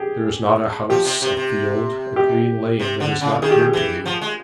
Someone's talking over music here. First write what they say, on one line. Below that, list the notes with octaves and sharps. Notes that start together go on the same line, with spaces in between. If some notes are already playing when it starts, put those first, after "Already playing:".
There is not a house, a field, a green lane, that is not dear to me.
Already playing: G4 G#4
F3 G4
C3
C3
C3
G4
C3
D3
C#3
D#3 G#4
G4
G#4
E3
F3
G#3